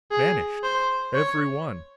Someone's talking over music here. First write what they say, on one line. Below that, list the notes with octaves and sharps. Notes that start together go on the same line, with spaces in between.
Vanished, every one!
G#4
C5
C#5